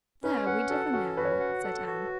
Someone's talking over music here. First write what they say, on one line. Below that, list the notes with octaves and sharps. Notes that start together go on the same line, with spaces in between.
"There we differ, Mary," said Anne.
C#4 B4
B4 F#5
F#4 A4
C#4 F#4
F#4 B4
C#5
B4
F#5
A4
F#4